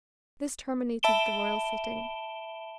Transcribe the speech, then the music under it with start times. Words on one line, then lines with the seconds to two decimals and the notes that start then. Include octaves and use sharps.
This terminated the royal sitting.
1.03 E5 A5 B5 D7 E7 G7